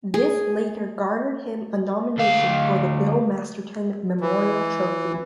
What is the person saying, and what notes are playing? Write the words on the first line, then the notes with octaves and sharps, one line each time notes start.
This later garnered him a nomination for the Bill Masterton Memorial Trophy.
G#4
D2 F5
E3